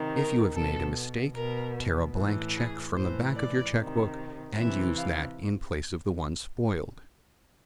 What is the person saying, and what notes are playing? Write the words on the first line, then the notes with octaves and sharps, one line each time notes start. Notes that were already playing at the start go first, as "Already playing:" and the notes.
If you have made a mistake, tear a blank check from the back of your check book and use that in place of the one spoiled.
Already playing: C3 D#3
A#4
B2 A4
B2 A#4
A2 E3
G#4
A2 E3 C5
D5
C3 D#3
C3 E3 E5
F5